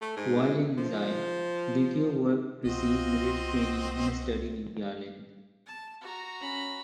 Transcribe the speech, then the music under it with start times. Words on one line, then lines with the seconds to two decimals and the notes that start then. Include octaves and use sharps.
While in exile, Dirceu worked, received military training and studied in the island.
0.01 A3
0.17 G#2
0.77 F3
2.65 C2 C4 F4 F#4 D#5
5.66 A5
6.01 F#4 A#5
6.42 C#4 B5